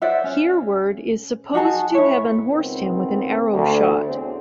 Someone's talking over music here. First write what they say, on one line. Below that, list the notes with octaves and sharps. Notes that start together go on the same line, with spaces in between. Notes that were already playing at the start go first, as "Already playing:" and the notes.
Hereward is supposed to have unhorsed him with an arrow shot.
C5 D5 E5 F#5
C#4
D#4 F#4 G#4 A5
E4 C#5
C#2 D#3 B3 C4
D2
E2 A2 D3 C4 C#4 G#4